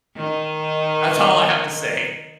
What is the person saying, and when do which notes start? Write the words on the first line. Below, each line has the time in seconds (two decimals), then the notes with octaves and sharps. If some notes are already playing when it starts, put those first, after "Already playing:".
That's all I have to say.
0.15 D#3 D#4